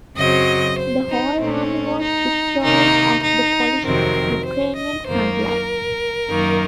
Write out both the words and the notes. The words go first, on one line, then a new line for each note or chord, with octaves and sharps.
The whole army was deployed at the Polish-Ukrainian frontline.
F#2 C#3 F#3 C4 D#5
C5
D#4
A#2 A3 C4 C#4
D#4
C3 D#3 A#3 D#4
D#4
F2 C3 D#3 F#3 C4 A#4
C5
D#5
F#2 D#3 A#3 C5
A#4
F#2 D#3 A#3